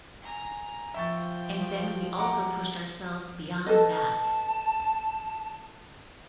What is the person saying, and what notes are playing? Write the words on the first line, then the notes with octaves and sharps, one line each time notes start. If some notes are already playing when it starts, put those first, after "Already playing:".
And then we also pushed ourselves beyond that.
G#5 A#5
F3 E5 G5 C#6 A6
F#5 A#5 D6
A4 B4 D#5 A5